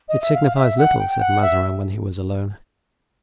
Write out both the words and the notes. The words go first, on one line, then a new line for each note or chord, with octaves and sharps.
"It signifies little," said Mazarin, when he was alone.
D#5
E5
F5
E5
F#5
G5
G5
F#5
E5